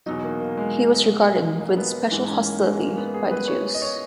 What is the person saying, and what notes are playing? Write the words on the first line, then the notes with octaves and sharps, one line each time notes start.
He was regarded with special hostility by the Jews.
E2 B2 F#3 D#4
A#3
A#3
G#3
A#3
B3
G#2 E3 G#3
C#4
A#3
G#3
A#3
B3
G#4
B4
C#5
D#5
C#5